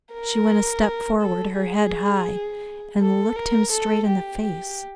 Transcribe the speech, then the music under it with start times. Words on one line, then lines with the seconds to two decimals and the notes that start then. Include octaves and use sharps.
She went a step forward, her head high, and looked him straight in the face.
0.14 A#4
1.21 A4
1.57 G#4
3.01 A4
3.36 A#4
3.72 A4
4.08 G4
4.43 G4